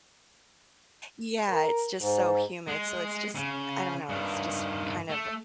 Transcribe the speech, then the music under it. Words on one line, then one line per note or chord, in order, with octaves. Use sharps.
yeah, it's just so humid, so it's just, I I don't know, it's just kind of
A#4
G#2
G#3
C#3
G2 D#3
A3